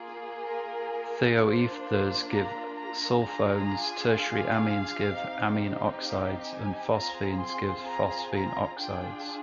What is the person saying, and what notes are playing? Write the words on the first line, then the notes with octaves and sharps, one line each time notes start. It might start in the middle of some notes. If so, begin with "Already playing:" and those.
Thioethers give sulfones, tertiary amines give amine oxides, and phosphines give phosphine oxides.
Already playing: A#3 F4 G#4
A#4
A#3 D4 F4 C5
A#5
A#5
D4 F4 G#4 A#5
A#5
G#5
F5
C4 D#4 G4
F5
G#5
C4 F4 G#4 A#5
C6
A#5
A#5
D4 F4 G#4 G5